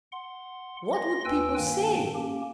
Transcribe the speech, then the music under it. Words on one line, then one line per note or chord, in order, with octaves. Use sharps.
What would people say?
F#5 C6
C6 A#6
D#2 F4 B4 G5 G#5 E6
G2 D#3 A#3 G5 G#5
A#3 C#4 G4